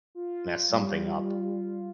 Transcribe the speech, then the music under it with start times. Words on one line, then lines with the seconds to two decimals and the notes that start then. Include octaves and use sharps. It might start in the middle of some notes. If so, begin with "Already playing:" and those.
mess something up
0.15 F4
0.69 G3